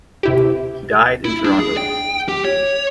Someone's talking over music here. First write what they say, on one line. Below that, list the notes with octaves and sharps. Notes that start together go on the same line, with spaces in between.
He died in Toronto.
C3 E4 G4
E4
D4
G#4
G5
G4
C#5